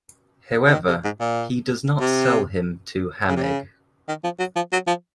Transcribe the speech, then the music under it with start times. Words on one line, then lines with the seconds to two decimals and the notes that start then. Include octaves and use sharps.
However, he does not sell him to Hamegg.
0.67 C#3
0.72 D#3
0.88 C3
1.04 G#2
1.20 A#2
2.00 C3
3.29 C#3
3.36 C3
3.43 C#3
4.08 D#3
4.24 F3
4.39 F#3
4.56 F3
4.72 F#3
4.87 F3